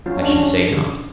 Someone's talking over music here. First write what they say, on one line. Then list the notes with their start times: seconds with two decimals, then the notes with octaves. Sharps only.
I should say not.
0.06 F#3 C#4 F4
0.17 C#4
0.22 D4
0.38 C#4